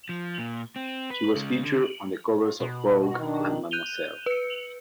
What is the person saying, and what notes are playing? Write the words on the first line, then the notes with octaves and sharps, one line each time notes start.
She was featured on the covers of "Vogue" and "Mademoiselle".
F3
A#2
C4
B4
C#3 G#3
D3
B2
D#3 D4
F#6 G6 D#7 F7 G7
B4 C#7